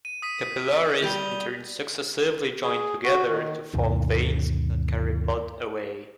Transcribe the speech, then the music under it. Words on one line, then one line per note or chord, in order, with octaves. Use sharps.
Capillaries in turn successively join together to form veins that carry blood away.
D#7
D#6 B6 D#7
G3 D5 G6 F7 G7
G#4
F#4
D#3
D2 G2 B2 D#3